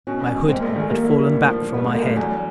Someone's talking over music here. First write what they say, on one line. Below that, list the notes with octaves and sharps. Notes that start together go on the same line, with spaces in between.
My hood had fallen back from my head.
B2 C#4
E1
E1
G#2 C4
A#1 A#3
A3
D#3 G#3
G3 A#3
E4
G3
A2
F3
F3
G2 B3
G#1 A3
A#3
G2 A3
E2 F#3